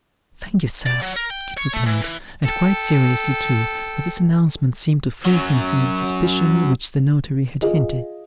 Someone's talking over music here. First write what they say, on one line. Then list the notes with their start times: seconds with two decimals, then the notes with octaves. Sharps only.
'Thank you, sir,' Kit replied; and quite seriously too, for this announcement seemed to free him from the suspicion which the Notary had hinted.
0.87 D5
1.02 F#3
1.17 A#4
1.30 G5
1.57 C#5
1.74 A3
1.87 E3
2.02 E3
2.43 A4 G5
5.25 F#2 F#3
7.62 F4 G#4 D#5